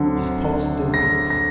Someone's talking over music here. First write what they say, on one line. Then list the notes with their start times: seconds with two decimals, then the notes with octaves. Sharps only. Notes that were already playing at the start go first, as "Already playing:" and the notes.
His pulse still beats.
Already playing: D2 D3 F#3 C4
0.94 A#6
1.30 A#6